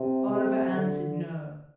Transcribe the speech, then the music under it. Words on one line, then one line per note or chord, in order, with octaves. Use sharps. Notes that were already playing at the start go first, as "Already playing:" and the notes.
Oliver answered no.
Already playing: C3
C3
D3